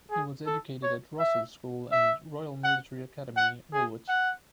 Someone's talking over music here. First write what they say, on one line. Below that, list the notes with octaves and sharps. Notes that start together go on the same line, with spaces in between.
He was educated at Rossall School and Royal Military Academy, Woolwich.
G#4
A4
C#5
E5
E5
F#5
F#5
G#4
F#5